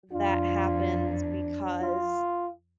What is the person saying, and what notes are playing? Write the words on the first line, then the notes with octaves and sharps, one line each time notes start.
that happens because
F2 D4 F4
F4